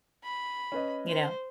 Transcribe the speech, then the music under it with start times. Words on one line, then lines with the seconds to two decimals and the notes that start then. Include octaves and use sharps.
you know,
0.24 B5
0.72 C#4 B4 D#5
1.08 C5